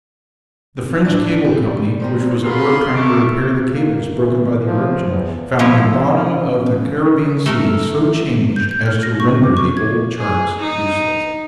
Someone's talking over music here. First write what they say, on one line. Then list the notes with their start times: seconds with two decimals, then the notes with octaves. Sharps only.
The French Cable Company, which was at work trying to repair the cables broken by the eruption, found the bottom of the Caribbean Sea so changed as to render the old charts useless.
1.05 D2 A2 D4
1.45 G3
2.00 F3 G3 A#5
2.43 F4 F#4 G#4 A#4 B5 C6
2.93 A3 A4 A#4 E5 C#6 D6
3.74 A#3
4.15 E3
4.66 F3
5.08 E2
5.59 F3 C#4 E4 C#5
7.46 A3 A#4
8.56 G6
8.71 G6
8.86 F6
9.03 A#6
9.20 C#6
9.43 D6
9.57 C#6
9.77 G#6
10.17 G#4
10.59 D#4